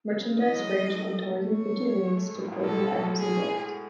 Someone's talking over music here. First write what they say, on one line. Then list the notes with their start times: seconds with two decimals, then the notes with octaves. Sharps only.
Merchandise ranged from toys and figurines to clothing items and books.
0.11 C#3
0.40 E3 D#5
0.52 F#3
0.58 G#3
0.77 G#3
0.91 G#3
0.95 A3
1.51 C#5
2.08 G#3
2.17 A3
2.27 G#3
2.35 A2
2.45 G#2
2.52 A2
2.64 B2 A4
3.20 G#4